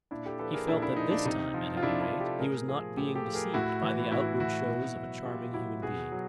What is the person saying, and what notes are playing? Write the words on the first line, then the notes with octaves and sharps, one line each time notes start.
He felt that this time at any rate he was not being deceived by the outward shows of a charming human being.
A#2 D4 E4
G4 A4
F3 A4 B4
G#4 A#4
A#2 D4 E4
D4 E4
F3 D#4
D4
C3 D#4
F3
F4
C3 D4 E4
D4 E4
F3
G4 A4
A2 G#4 A#4
F3 G#4 A#4
A2 G4 A4
G4 A4
F3
G#4 A#4
A2 E4 F#4
E3
A2 E4 F#4
E3 E4 F#4
B2
F#3
B2 F4 G4
F#3 E4 F#4
B2 F#4 G#4
F#3